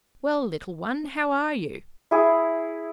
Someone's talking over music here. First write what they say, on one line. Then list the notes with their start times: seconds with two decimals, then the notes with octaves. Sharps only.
'Well, little one, how are you?
2.11 E4 G#4